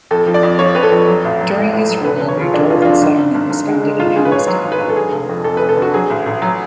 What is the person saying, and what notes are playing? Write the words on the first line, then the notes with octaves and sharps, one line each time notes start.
During his rule a new dwarven settlement was founded at Helm's Deep.
F2 A4
F3
D5
F2
F3 C#5
F2 B4
A4
F2
F#3
A1
F#3
A2
A2
F#3
F1 B4
F1 B4
C#5
C#3 F4
F2 D4
D4
F1 F4
F4
F2 D4
G#1
G#1
G#1
G#1
G#3
G#3
G#1 F4
G#1 G#4
B4
G#1 C#5
F#3 C#5
G#1
B4
G#1
A4
D3 G#4
F1
F2
F2 A4
F1 B4
A4
D3 F#4
F#3 G#4
A1
A1
F#3